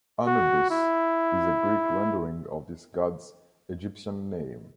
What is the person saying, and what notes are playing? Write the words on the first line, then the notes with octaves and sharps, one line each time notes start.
"Anubis" is a Greek rendering of this god's Egyptian name.
F#4
E4